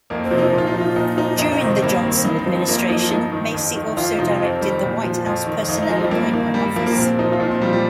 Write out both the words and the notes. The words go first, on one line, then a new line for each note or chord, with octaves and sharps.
During the Johnson Administration, Macy also directed the White House Personnel Appointment Office.
F2 A#3
C4
C3 F3
D#4
A#2
F4
D#4
F3
F4
A#2 D#4
F3 D#4
F2 D#4
D#4
C3 D#3 C4
G2 A#3
C4
D#3
C4
G2 D#4
C4
F3
C4
F2 A#3
F3 D#4
G2 D#4
D#3
F2
D#3
F2 F4
C3 F3 D#4
F2 C4
D#3 G3
A#2
F3
F2
D#3
F2 D#4
D#4
F3
C4
G3
G2 A#3
D#3 A#3
G2 G3
G3
F3 A#3
A#3
A#2 C4
F3 D#4
F4
A#2 D#4
C4
F3 G3
G3